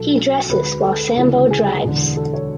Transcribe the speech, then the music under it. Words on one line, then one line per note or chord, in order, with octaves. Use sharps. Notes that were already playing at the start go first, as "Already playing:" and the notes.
He dresses while Sambo drives.
Already playing: B1 B2 F#3 A4
D2 D3 G#3 B4
A4
D2 C#3 E3 G#3
G#4
E1 E2 D3
A4
C#5